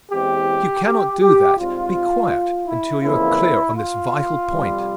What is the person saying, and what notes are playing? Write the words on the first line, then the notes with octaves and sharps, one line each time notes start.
If you cannot do that, be quiet until you are clear on this vital point.
E2 E3 G#3 C4 G4
G4
G4
G#2 G3 C4 F4
E4
F2 C#3 E3 A#3 E4
F4
F2 C3 G3